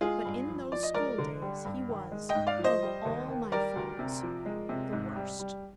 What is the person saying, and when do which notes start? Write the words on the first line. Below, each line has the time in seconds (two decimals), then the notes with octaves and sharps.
But in those school-days he was, of all my foes, the worst.
0.01 G#3 F4 G#4
0.25 G2
0.48 F3
0.72 F3 D5
0.83 D#5
0.94 G#3 A#4 D5
1.18 D3
1.42 G3
1.65 G2
1.89 D#3
2.12 G#3
2.29 D#5 G5
2.35 G#2
2.47 D5 F5
2.59 F3
2.64 C5 D#5
2.82 G3
3.05 D#2
3.28 D#3
3.52 G3 A#4 D5
3.76 D2
3.99 C3
4.23 F3
4.46 G#3
4.69 C3
4.93 G#2
5.16 G3
5.39 G3